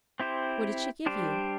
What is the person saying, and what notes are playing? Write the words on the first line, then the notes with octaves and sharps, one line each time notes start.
'What did she give you?'
C4 E4 G4 C5
G3 D4 G4 C5